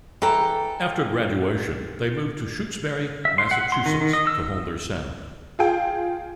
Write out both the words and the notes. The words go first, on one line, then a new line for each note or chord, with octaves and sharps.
After graduation, they moved to Shutesbury, Massachusetts to hone their sound.
E3 A4 G5 A#5
E5
C6
F#5
C6
D#3
D#3
D#5
E6
F4 G#4 G5